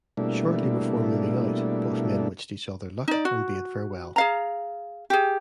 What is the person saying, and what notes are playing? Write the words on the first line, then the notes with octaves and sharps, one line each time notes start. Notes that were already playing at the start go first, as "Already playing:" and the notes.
Shortly before moving out, both men wished each other luck and bade farewell.
B2 G3 A3 A#3 D4 E4
D#4 D5
F#4
G#4 F5 A#5
G4 G#4